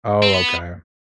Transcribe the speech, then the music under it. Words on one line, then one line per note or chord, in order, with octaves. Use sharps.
Oh, okay.
C4
B3